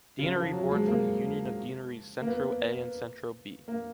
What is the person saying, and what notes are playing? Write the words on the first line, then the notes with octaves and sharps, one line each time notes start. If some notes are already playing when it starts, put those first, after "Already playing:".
Deanery born from the union of deaneries “Centro A” and “Centro B”.
C#3
F3
F#3
G#3
A#3
A#3
B3
A#3